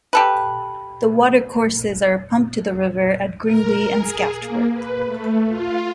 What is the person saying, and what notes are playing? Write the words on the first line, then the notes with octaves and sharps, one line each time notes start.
The watercourses are pumped to the river at Gringley and Scaftworth.
G4 A4 B4
A#4
G#4
A#3
B4
A3
F4